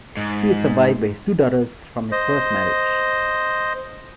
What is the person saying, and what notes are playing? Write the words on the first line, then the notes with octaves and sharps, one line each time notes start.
He is survived by his two daughters from his first marriage.
G#2
C5 D#5